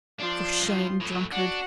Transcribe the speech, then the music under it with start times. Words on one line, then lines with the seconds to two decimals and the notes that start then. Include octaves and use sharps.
For shame, drunkard!'
0.20 F3 D4 C6
0.60 G2
1.00 A2 F#3
1.32 D4 F#4 F#5